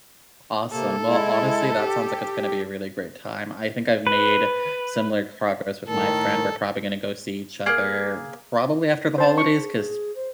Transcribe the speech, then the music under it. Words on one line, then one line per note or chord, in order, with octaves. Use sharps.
Awesome. Well, honestly, that sounds like it's gonna be a really great time. I think I've made similar progress with my friend. We're probably gonna go see each other probably after the holidays 'cause
C3 A#3 A4
G#3 E4
G4
B4
A2 D#3 A4 A#4
A#3 G#4
C#4 C5 A5
C#6
G#4
G#4
C5